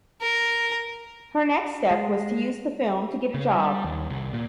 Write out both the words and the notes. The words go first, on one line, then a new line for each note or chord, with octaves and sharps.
Her next step was to use the film to get a job.
A#4
G#3
C#3
G3
D#2
C2
A#2